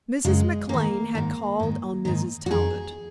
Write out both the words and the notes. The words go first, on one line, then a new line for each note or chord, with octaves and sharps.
Mrs. McLane had called on Mrs. Talbot.
F#2 C#3 G#3
G#2 D#3 A#3
G#2 D#3
G#2 D#3
G#2 D#3
F#4
F2 D#3 G#4